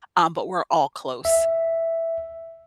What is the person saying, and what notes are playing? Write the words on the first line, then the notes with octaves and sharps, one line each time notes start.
um, but we're all close.
E5